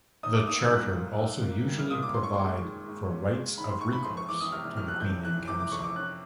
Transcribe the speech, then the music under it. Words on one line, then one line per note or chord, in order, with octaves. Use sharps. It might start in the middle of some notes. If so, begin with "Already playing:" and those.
The charter also usually provide for rights of recourse to the Queen in Council.
D#4 D#6
D6
A#3 D#6
E6
G3 F#6
A#2
D#4
A#3
G3
F6
A#2 D#6
D6
C#4 C6
C#6
G#3 C6
D#3
G#2
C#4
G#3
D#3 B5
C6
G#2 C#6
B5
F2 C6
C#6
E3 D6
D#6
C3 F6
F6
F2 F6
F#6
F2 G6
E3 F#6
C3 D6
D6
F2 C#6
D6
C#4 F#6